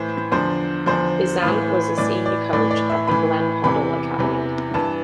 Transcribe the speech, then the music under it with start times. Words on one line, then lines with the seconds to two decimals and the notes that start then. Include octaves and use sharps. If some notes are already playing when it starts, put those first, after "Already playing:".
Beasant was a senior coach at the Glenn Hoddle Academy.
Already playing: A2 E3 C5
0.32 E2 D3 F3 C5
0.86 E2 D3 F3 C5
1.42 A2 E3
1.98 A2 E3 D5
2.26 D5
2.53 A2 E3 D5
2.71 D5
2.90 E5
3.07 A2 E3 B5
3.64 E2 C3 E3 B5
4.19 E2 C3 E3
4.74 G2 E3 A5